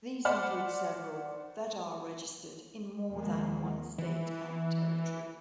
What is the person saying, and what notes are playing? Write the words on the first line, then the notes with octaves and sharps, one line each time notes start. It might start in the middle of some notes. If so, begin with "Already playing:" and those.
These include several that are registered in more than one State and Territory.
C5 D5 F#5 B5 F6
D#2 B2 D#3 F3 G#3 A#3
E3